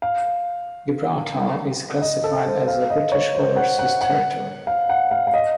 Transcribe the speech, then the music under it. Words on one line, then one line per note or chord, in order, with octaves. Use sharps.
Gibraltar is classified as a British overseas territory.
F5
D#5
A4
C5
F5
D#5
C#5
C5
F#5
F#5
F#5
F5
F#5
F5
F5
D#5